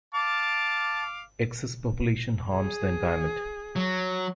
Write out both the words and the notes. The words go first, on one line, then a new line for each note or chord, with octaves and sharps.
Excess population harms the environment.
F5 A5 D6
G#4
F#3